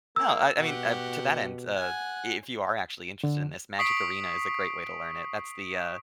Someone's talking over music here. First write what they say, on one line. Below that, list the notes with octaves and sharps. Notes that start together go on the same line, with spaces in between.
No, I I mean, uh, to that end, uh, if you are actually interested in this, Magic Arena is a great way to learn it. That's the, uh,
A#3 E6
B2 F#4 G4 F#5
F#5 G#5
D3
C#6 D#6 B6 C7 D7 F#7